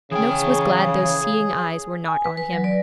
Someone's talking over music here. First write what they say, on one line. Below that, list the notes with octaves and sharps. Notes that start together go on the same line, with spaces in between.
Noakes was glad those seeing eyes were not on him.
C#3 E3 G#4 G5
G#5
B4
B4
F#3
D5